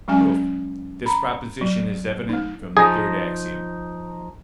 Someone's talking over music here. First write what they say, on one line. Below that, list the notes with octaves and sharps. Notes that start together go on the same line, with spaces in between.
Proof.--This proposition is evident from the third axiom.
F#3 G#3 C#4 G#5
A#5 B5
F#3
A3 D#4
F3 D#4 G#4